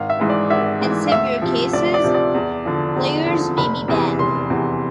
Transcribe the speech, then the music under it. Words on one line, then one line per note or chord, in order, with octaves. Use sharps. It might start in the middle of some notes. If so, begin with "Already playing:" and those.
In severe cases players may be banned.
Already playing: G#1 F5
E5
G#2 E3
D5
G#1 E5
G#2 E3
F5
D2 E5
C3 F3
D2 D5
D5
C3 F3
D5
E2
D3 F3
E2
D3 F3
F1 B5
E2 C3 E3
F1 C6
E2 C3 E3